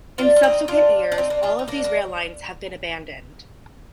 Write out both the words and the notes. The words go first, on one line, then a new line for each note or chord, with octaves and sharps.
In subsequent years, all of these rail lines have been abandoned.
D4 F4
F4
C4 D#4
D4 F4
D4
C4 D#4
A#3 D4
D4 F4
D#4
A#3 D4
A#3 D4